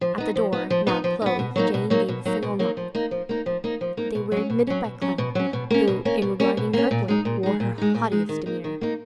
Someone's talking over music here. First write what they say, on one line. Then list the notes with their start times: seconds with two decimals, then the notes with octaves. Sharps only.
At the door, now closed, Jane gave a single knock; they were admitted by Clem, who, in regarding Kirkwood, wore her haughtiest demeanour.
0.01 F3
0.18 B3 D#4
0.36 F3
0.53 B3 D#4
0.70 F3
0.87 B3 D#4
1.04 F3
1.22 D#4
1.26 B3
1.39 B2
1.56 F#3 A#3 D#4
1.74 B2
1.90 F#3 A#3 D#4
2.09 B2
2.25 F#3 A#3 D#4
2.43 B2
2.59 F#3 A#3 D#4
2.77 F3
2.95 A#3 D#4
3.11 F3
3.29 A#3 D#4
3.46 F3
3.64 A#3 D#4
3.81 F3
3.97 A#3 D#4
4.15 B2
4.32 F#3 C#4
4.50 B2
4.67 F#3 C#4
4.84 B2
5.01 F#3 C#4
5.18 B2
5.35 F#3 C#4
5.53 B2
5.70 A#3 C#4
5.87 B2
6.05 A#3 C#4
6.22 B2
6.40 A#3 C#4
6.57 B2
6.73 A#3 C#4
6.91 A#2
7.08 G#3 D#4
7.25 A#2
7.43 G#3 D#4
7.60 A#2
7.78 G#3 D#4
7.95 A#2
8.12 G#3 D#4
8.29 D#3
8.46 A#3 D#4
8.64 D#3
8.81 A#3 D#4